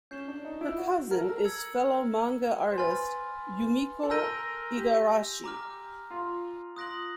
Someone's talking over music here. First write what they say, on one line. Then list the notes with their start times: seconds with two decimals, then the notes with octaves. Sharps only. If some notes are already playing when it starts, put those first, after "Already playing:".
Her cousin is fellow manga artist, Yumiko Igarashi.
0.11 C#4 G6 C7 E7 G7
0.28 D4
0.45 D#4
0.61 E4
0.78 F#4
1.11 A#4
1.20 A4
1.29 A#4
1.44 E6 G#6 C#7 F#7
2.71 C5
2.78 B4 G#5 C6 F6 A6
4.03 A4
4.10 A#4 E6 G6 A#6 D#7 G7
4.77 G4
5.44 A#5 D6 F6
6.11 F4
6.76 F4 D#6 F#6 A#6 D7 F#7